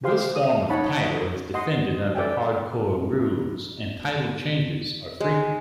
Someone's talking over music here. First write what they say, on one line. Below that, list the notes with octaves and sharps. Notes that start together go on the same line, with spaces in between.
This form of title is defended under hardcore rules, and title changes are frequent.
G4 G#4 C5 F5 C6
D#6
D#4 C#5 F#5 A5 B5
D#5 F#5 C6
A4 D5 E5 G5 G#5
G#3